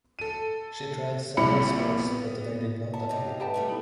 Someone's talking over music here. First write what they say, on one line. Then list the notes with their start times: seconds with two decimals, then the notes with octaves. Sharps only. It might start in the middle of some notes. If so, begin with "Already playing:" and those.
She tried several sports but they did not appeal.
0.19 A4 D#7
1.37 A#1 C3 G3 E4 B5 C#7
1.99 B3
2.94 E4 C#5 A5
3.09 C3 D#4 A4
3.25 F5
3.40 G4 B4 E5 G5 A5
3.54 G2 G3 A3
3.68 B3 D#4 E4